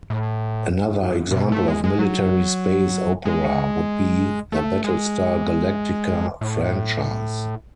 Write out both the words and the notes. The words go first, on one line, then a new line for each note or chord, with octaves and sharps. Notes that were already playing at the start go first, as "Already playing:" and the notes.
Another example of military space opera would be the Battlestar Galactica franchise.
A2
A2
B2
A3
G#3
G#3
F#3
G#3
A3
G#3
A2